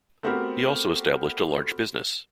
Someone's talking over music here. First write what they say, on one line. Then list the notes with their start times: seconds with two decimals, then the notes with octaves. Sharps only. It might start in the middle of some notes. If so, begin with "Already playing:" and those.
He also established a large business.
0.23 A3 B3 C4 F#4 G4 A#4